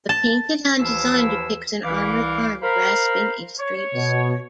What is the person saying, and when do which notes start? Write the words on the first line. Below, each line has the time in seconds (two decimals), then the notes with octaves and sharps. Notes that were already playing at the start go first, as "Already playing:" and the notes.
The painted-on design depicts an armored arm grasping a straight sword.
0.09 A5
0.80 D#2 E3 F3 E4 F5 E6
1.84 C2 E3 F5 D6
2.63 A#4 C5 F5 B5
3.59 C#5
3.94 B2